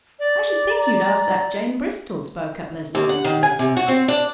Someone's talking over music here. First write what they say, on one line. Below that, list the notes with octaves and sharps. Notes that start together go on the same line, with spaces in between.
"I should think you'd ask that Jane Bristol," spoke up Leslie earnestly.
D5
A#5
D#2
F#5
D#3
G#5
C3
F#4
C4
D4